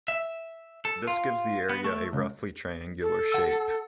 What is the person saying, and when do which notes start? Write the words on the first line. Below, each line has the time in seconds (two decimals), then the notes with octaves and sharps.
This gives the area a roughly triangular shape.
0.08 E5
0.85 A4
1.07 F4
1.69 B3
1.84 A3
2.13 C#2
3.02 A4
3.32 F#5 E6